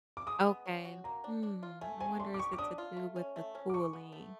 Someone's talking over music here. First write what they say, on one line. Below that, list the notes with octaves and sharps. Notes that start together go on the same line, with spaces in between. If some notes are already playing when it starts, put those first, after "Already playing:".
Okay. Hmm, I wonder is it to do with the cooling.
D6
G#3 D#6
B3
C#4
F#4
A#3 A#5
D4
D4
F4
A3 G#5
C4 G#5
D4 C6
D6
G4 C#6
D6
D4 D#6
F4
A3
C#4
A3
C#4
D6
G#3 C#6
B3
A3